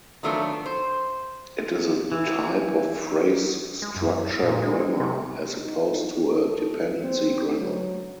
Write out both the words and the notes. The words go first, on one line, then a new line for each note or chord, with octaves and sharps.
It is a type of phrase structure grammar, as opposed to a dependency grammar.
D#3 F3 F#3 A3 B3 D4
C5
E3
G#3
F#2
A#2
G#3
C3
D#4
A4
C4
F#3